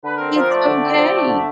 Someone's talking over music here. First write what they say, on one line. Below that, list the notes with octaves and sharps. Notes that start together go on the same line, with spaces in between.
it's okay,
D3 B4
C4 A#4
F3 A#4
A3 D5
D3
C4
F3
A3
D3
E5